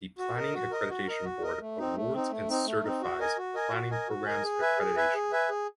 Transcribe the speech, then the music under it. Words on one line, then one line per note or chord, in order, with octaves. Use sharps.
The Planning Accreditation Board awards and certifies planning programs accreditation.
F#4
A#4 D#5
F#4
A#4 D#5
F#4
A#4 D#5
F#4
A#4 D#5
A3
C4 D#4
A3
C4 D#4
A3
C4 D#4
A3
C4 D#4
F#4
A#4 D#5 G#5
F#4
A#4 D#5 G#5
F#4
A#4 D#5 G#5
F#4
A#4 D#5 G#5
G#4
B4 E5 G#5
G#4
B4 E5 G#5
G#4
B4 E5 G#5
G#4